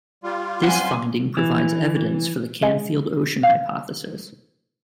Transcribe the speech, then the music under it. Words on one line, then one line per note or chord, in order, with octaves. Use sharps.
This finding provides evidence for the Canfield Ocean hypothesis.
G3 F4
F#2 C4 B4 F#5 G#5 C6
E3
G#3
F5